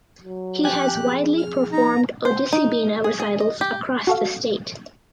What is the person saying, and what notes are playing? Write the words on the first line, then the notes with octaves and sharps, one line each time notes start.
He has widely performed Odissi Bina recitals across the state.
F#3
F2 G4 G#5 F#6
G#4
F6
D#4 A#5
C5
D#4
G#4
G#4
D#5
G4
F#4 A4 F5